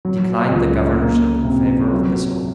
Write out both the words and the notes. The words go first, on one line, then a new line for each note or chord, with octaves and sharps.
Declined the governorship in favor of Bissell.
F#3
C#2
A#3
C3
F#3